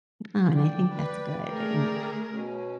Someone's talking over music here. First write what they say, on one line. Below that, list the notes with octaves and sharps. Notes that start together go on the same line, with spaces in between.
Oh, and I think that's good, and,
D5 G5
B4
A3 G#4 A#4
B2 C#4